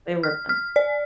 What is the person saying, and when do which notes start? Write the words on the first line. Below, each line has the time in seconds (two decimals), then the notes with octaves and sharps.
They were fun.
0.23 F6
0.49 F6
0.76 D5